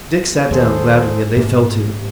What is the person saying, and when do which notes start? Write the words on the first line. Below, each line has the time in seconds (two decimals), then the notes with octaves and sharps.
Dick sat down gladly, and they fell to.
0.19 E2
0.51 D#2 G#4 A4 C5
1.37 F2 G#2 A#3
1.93 C3